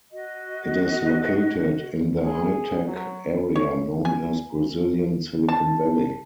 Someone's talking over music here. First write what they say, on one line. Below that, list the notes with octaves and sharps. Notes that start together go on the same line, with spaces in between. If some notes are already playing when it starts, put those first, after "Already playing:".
It is located in the high tech area known as Brazilian Silicon Valley.
F#4 D#5
G#4
F#3
C#5
G#5
A5